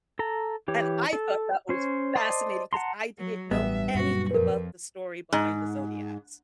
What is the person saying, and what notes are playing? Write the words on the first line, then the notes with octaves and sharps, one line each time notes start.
And I thought that was fascinating 'cause I didn't know anything about the story behind the zodiacs,
A4 A#5
E3 G4 C#5
A4
C#4 C5 C#5
C5 D5 D#5 A5
F#5 A5 A#5 C6
F#3
A1 G2 B3 E5
F#2 A#2 F#3 F#4
F2 A#4 B4
G#2